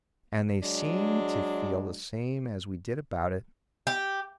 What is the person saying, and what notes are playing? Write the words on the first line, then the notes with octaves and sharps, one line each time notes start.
And they seemed to feel the same as we did about it.
F#3 G#3 D4
G4